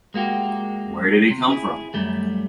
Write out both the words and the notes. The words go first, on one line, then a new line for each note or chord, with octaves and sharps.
Where did he come from?
G#3 A#3 F#4 G4
C3
E4 G#4
F#2 G3 A3